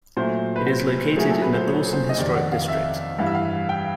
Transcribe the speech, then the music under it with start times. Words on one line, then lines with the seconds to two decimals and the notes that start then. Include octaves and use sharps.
It is located in the Dawson Historic District.
0.17 A#2 F#3 A3 C5
0.56 B4
0.66 C5
1.17 A#2 F#3 A3 G#4
1.30 A4
1.42 B4
1.54 C5
1.67 C#5
1.93 C5
2.09 D#5
2.18 F2 C3 D#3 D5
2.35 F#5
2.52 F5
2.68 E5
3.18 G2 E3 G3 F5
3.27 E5
3.35 F5
3.69 G5